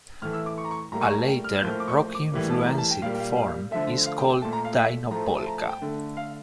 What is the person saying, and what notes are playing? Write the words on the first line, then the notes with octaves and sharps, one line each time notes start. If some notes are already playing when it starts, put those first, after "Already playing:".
A later, rock-influenced form is called "dyno" polka.
A2 E3 A3 F6
E6
D6
C#6
A#5
C#6
A2 G3 A#3 A#5
C#6
A#5
A5
G5
F6
A2 F3 A#3 G6
F6
D6
C#6
D6
A2 E3 G3 A#3
A5
A#5
A5
G5
A#2 G3 A#3 F5
G5
F5
F5
D3 F3 A3 E5
F5
G5
G5
A#2 A3 A5
A#5
F5
E5
A2 F3 A3 A#5
A5
A#5
A5
G5
D3 A3
F5